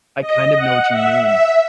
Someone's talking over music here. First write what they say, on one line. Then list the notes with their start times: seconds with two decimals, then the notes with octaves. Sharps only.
I kind of know what you mean.
0.21 D#5
0.56 F#5
0.90 E5
1.25 E5